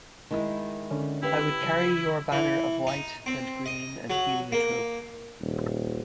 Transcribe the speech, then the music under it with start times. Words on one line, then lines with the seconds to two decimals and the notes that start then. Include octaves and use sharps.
I would carry your banner of white and green and heliotrope.
0.31 D#3 G#3 E4
0.91 D3 C#4
1.23 E4 G4 B4 F5
1.61 C#3 F#3
2.32 E3
2.87 D#4
3.26 C4
3.66 D#5
4.10 F#3
4.52 A#3
5.41 D#1